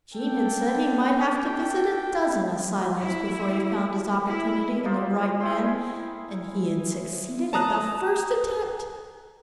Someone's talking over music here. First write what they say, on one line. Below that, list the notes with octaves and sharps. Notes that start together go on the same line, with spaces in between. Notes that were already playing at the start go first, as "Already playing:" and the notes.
Jean had said he might have to visit a dozen asylums before he found his opportunity and the right man, and he had succeeded at the first attempt.
D4 A4 G5
E4
E4
A#3 D#4 F4 C5
E4 G#4 G5 C6
A5 A#5 D#6 F#6